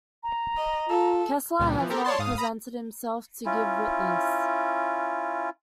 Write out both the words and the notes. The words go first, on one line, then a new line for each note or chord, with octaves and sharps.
Kessler has not presented himself to give witness.
A#5
D#5
F4 A4
C#2 A#2 G3
E3 F3
C4 G4 A4 A#4
C#5 D5 A5 C6
G#2 F5 D#6
A#5 B5 D#6
C#4 E4 F4